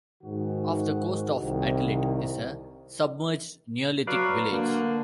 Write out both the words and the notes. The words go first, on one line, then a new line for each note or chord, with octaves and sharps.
Off the coast of Atlit is a submerged Neolithic village.
G#2 D#3 F#4
C2 C3 D#3
F#3 B4 D5 F5
D3 A#3